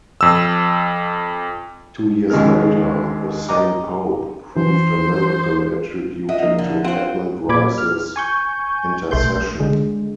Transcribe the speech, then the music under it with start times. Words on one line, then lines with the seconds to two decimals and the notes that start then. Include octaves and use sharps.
Two years later, the same Pope approved a miracle attributed to Edmund Rice's intercession.
0.21 F2 E6
2.30 D#2 G#2 C#3 G#3 F6
3.49 D#5 A#5 D6
4.56 E3 C5
6.29 D#5 E5 F#5
6.43 F3 A#3 D4
6.59 D3
6.84 C4 F4 C5 F#5
7.49 A#2 B5 D6 G#6
7.78 F6
8.16 G#5 C#6 G6
9.11 B1 A3 C6 G6
9.60 D3 G#3